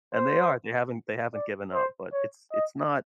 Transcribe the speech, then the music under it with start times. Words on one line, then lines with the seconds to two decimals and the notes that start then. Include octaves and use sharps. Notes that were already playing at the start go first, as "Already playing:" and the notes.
And they are. They haven't they haven't given up, but it's it's not
0.15 C5
1.33 D5
1.74 C5
2.13 C#5
2.52 D#5